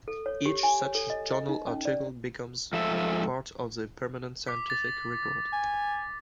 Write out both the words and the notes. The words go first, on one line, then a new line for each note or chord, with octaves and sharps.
Each such journal article becomes part of the permanent scientific record.
A4
C#5
G4
G#5
C#5
A4
D#5
D#5
D#4
C#4
D5
G#2 F3 A4 E5
D6 B6
A6
G#5